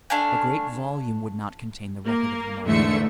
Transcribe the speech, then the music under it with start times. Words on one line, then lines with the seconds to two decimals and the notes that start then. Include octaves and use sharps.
A great volume would not contain the record of them all.
0.10 A3 D4 F5 G#5
2.04 A#3 A#4
2.65 E2 G#2 D3 A3 E5 C#7